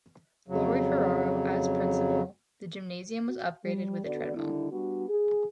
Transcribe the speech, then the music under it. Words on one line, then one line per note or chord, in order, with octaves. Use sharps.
Lawrie Ferrao, as principal, the gymnasium was upgraded with a treadmill.
F2 C#3 F#3
F#4
G3
D3 B3 F#4 A4 D5
D3 D#3 G3 E4
G3 B3 D4 F#4
G#4